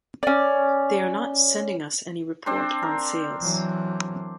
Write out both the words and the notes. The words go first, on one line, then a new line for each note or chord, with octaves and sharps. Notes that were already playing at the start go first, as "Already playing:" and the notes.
They are not sending us any report on sales.
C#4 D5
C4 D4 C5
A#4
E3 F#3